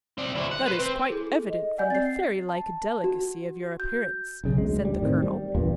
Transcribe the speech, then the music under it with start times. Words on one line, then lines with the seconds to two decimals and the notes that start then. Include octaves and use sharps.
"That is quite evident from the fairy-like delicacy of your appearance," said the colonel.
0.18 C4 D5
0.35 D2 E4
0.51 F#5
0.66 B4 C5
0.79 C4
1.09 E4 G#4 A4
1.49 D#5
1.78 D5 F#5 G#5 G6
1.90 C4 A6 C7
2.49 A5
3.04 F#4
3.80 G6
4.44 B1 C#3
4.58 D2 G#3
4.82 D2 G3
5.01 A2 D#3 C4
5.22 G3
5.55 E2 G2 A#2